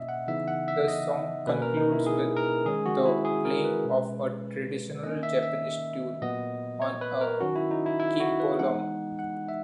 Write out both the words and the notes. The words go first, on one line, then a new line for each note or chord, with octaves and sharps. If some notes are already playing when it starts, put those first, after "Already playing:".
The song concludes with the playing of a traditional Japanese tune on a cimbalom.
Already playing: B2 A#3 C#4 D#5 E5
F#5
C#3 E3 B3 D#4 E5
F#5
E5
D#5
B2 A#3 C#4 B4
A#4
D#4
E4
G#4
A#4
D#3 G#3 C#4 G#4
F#4
E4
G#4
A#4
B4
B2 G#3 C#4
D#3 A#3 C#4 D#5
E5
E5
A#2 F#3 B3 D#5
C#5
B4
A#4
D#3 F#3 C#4 F#4
E4
D#4
E4
E4
F#4
B4
E3 G#3 B3 D#4 F#5
F#5
E5